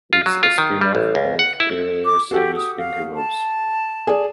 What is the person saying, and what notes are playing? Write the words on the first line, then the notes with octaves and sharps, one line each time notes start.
It is a spin-off of the earlier series Fingerbobs.
F4
F#3
F4
D#3
G3
A1
C#2
F#5
E4
D6
F#4 G4 A4 F#5
D#6
F5
A5
G#4 D5